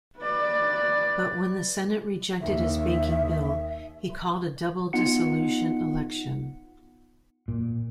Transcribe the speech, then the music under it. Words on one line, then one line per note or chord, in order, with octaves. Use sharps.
But when the Senate rejected his banking bill, he called a double dissolution election.
B4 D5
D#2 E5
B3 D#4 F4 F#5 C#7
A#2